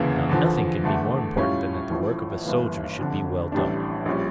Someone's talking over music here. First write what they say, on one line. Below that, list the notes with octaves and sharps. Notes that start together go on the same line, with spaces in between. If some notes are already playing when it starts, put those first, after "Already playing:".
Now nothing can be more important than that the work of a soldier should be well done.
Already playing: E1 D2 C#3 E3 A#3
E2 D3 F3
E2 D3 A3
A2 G3 C#4 F4
A1 A2 F3
G1 G2 E3 A#3
F1 F2 D3
A1 A2 G3 D4
A#1 A#2 G3 C#4